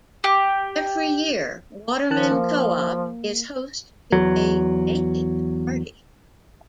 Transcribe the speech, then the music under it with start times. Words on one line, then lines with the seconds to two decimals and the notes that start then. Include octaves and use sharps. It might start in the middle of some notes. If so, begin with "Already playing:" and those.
Every year Watermyn Coop is host to a Naked Party.
0.24 G4
2.10 D#3 F3 A5 F#6
2.31 A#3
4.12 E2 F#3